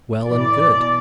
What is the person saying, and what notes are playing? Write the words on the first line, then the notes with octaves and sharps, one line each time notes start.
Well and good.
A2 E3 D5
B2